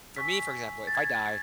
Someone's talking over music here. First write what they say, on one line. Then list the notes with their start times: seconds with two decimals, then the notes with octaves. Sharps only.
for me, for example, if I die
0.16 G#5 C#6 E6 B6
0.87 A6
0.95 G#6
1.03 A6